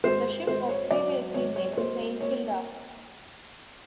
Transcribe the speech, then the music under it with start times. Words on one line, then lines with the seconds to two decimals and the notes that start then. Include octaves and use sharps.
The ship was previously named "Saint Kilda".
0.04 G#1 C5
0.47 G#1 C5
0.69 C#5
0.91 F#3 D5
1.34 G#1 C#5
1.56 C#5
1.73 C#5
1.77 A#3 C5
2.21 A#3 C#5